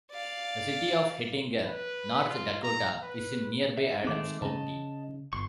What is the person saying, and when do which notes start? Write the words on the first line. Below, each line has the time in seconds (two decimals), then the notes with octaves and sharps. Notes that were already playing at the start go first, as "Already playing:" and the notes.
The "city" of Hettinger, North Dakota, is in nearby Adams County.
0.11 D5 F5
1.65 B4
2.29 F4
2.63 A#5
3.02 B4
3.77 E5
4.04 D#3 G#3 A3 C4 D6
4.42 C#3 D#5 A5
5.33 G1 C6 C#6